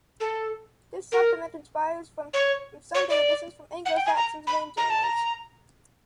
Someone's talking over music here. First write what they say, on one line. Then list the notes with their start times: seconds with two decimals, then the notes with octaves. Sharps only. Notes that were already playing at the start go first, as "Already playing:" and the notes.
This supplement inspires from Sunday editions from Anglo-Saxons main journals.
0.20 A4
1.12 A#4
2.34 C#5
2.95 C#5
3.10 D5
3.86 F#5
3.96 G5
4.06 G#5
4.16 A#5
4.47 B5
4.77 A#5
4.90 A5
5.04 A#5